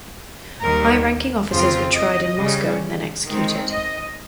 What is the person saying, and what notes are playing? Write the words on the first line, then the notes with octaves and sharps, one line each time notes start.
High-ranking officers were tried in Moscow, and then executed.
D#2 D#3 G3 A#4
F2 C#3 F3 C4 F4 C5
D#5
C#3 G3 C#4
D#3 G#3 C4
D#5